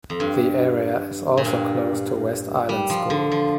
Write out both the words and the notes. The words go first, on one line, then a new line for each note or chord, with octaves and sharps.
The area is also close to West Island School.
F2
G2
A#2
G2
G3
F3
D3
F3